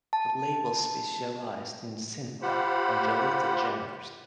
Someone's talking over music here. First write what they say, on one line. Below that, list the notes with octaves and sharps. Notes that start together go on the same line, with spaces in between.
The label specialized in synthpop and related genres.
A5
F4 G4 C5 F#5 B5